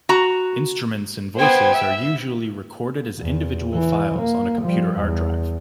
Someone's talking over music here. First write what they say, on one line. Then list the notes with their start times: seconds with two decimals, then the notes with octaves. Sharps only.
Instruments and voices are usually recorded as individual files on a computer hard drive.
0.09 F#4 A#5
1.39 B3 C5 G5 G#6
1.74 E5
3.19 E2
3.73 E3
4.19 A#3
4.62 F3 G3
4.99 E2